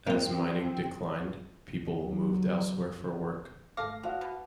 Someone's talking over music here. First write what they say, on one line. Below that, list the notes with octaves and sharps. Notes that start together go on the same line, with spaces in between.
As mining declined, people moved elsewhere for work.
A#3 C4 F4
F#3
G#1 A3 F5 D6 A#6
F3 F#4 F5
B2